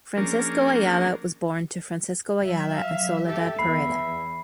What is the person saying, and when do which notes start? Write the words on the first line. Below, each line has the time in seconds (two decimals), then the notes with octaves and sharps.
Francisco Ayala was born to Francisco Ayala and Soledad Pereda.
0.17 F3 A#3 C#4 D4 G#4 A#4
2.40 F#3 E5
2.77 F5
3.26 G4 A4 E5
3.59 E2 B5 C7